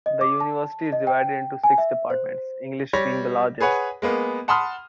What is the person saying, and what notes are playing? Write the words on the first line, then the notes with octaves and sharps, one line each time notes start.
The university is divided into six departments, English being the largest.
D#5
D6
A5
D#5
G5
G#5
E5
C5
G3 C#5 A#6
G#4 B4 C#5 F#5
G#3 A#3 B3
F#5 A5 B5 C6 D#6 F6